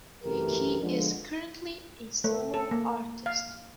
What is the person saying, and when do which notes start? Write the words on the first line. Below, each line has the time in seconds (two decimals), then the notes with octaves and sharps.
He is currently a solo artist.
0.24 F#2 C3 E3 A3 G4 A#4
0.81 D3 F3 G#3
2.24 A3
2.54 A4
2.71 A#3
3.26 F5